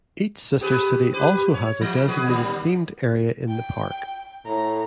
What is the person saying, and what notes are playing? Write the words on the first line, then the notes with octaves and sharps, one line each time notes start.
Each sister city also has a designated themed area in the park.
G4 G#4 B4
G4 B4
C#5
F3
F#4 G#4 B4
A#2 D#3 G3
G5
A2 A#5